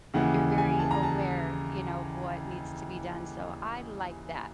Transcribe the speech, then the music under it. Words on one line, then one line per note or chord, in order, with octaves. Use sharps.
you're very aware, you know, of what needs to be done, so I like that.
D#2 C#3 E3 F#5
G#5
A5
A#5
A5